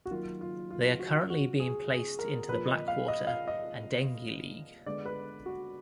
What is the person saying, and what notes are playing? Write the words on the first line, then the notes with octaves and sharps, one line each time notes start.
They are currently being placed into the Blackwater and Dengie League.
F#4
D#3 F#3 A#3 F4
F4
F4
F#4
F#4
G#4
G#4
A#4
A#2 F3 A#3 B4
D#5
F5
D#5
F5
D#5
D3 G#3 B3 D5
B4
F#4